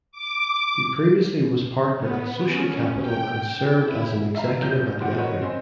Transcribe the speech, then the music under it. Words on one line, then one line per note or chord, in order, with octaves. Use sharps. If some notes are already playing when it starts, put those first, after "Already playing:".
He previously was partner at Social Capital and served as an executive at Yahoo!
D6
B3
C#4
G5
E4
E5 F5 A#5
F#1 C#3 F#3 G6
A#2 E3 F#4 G4 F#5 D7
D#4 F#4 A#4 B4 C#5 D#5
C4 C#4 D#4 C5